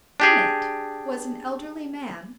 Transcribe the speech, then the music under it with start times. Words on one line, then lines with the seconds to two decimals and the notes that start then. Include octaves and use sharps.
In it was an elderly man.
0.20 D4 G4 G#4